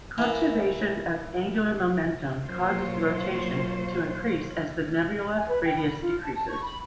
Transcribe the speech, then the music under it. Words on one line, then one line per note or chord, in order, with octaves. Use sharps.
Conservation of angular momentum causes the rotation to increase as the nebula radius decreases.
E3 A#3
B2 F#3 A#3 F4 C5 C#5
G#5
B4
G5
B5
F4
A5
A5
C#6
B5